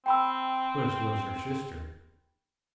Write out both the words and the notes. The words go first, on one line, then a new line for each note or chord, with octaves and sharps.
Puss was her sister.
C4 G5 B5 E6